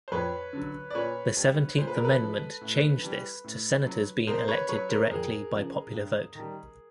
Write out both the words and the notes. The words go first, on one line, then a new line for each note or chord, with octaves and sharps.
The Seventeenth Amendment changed this to senators being elected directly by popular vote.
C5
F2 B4 C#5
D3 F#3
D5
A#2 B4 C#5
G3
A#2 C5
B4
A#4
A4 B4
F3 G#3
A2
E3 G3
A2
F#3
B2 A#4 C5
C5
B4 C#5
F#3 B4 C#5
A#4 C5
F2 G#4 A#4
C#3 F3
G2
D#3 G3